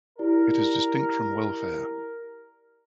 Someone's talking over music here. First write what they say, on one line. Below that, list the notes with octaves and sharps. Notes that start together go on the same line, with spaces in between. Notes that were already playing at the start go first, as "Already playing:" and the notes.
It is distinct from welfare.
E4 G4 A#4 D5